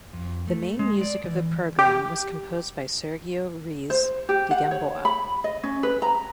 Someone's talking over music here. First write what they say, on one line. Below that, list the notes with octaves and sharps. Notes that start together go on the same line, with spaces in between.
The main music of the program was composed by Sergio Ruiz de Gamboa.
F2
A3
G#3
D5
E3
G4
C5
G4
F#5
C#5
B5
D#5
C#4
B4
A#5